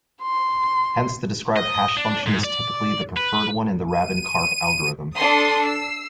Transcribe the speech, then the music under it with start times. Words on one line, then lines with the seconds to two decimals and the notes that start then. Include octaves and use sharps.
Hence the described hash function is typically the preferred one in the Rabin-Karp algorithm.
0.22 C6
1.57 D#5
1.97 D4
2.27 G#2
2.44 D5
3.17 B4
3.88 D#7
5.16 D4 A4 C6 D#6
5.63 E6 C7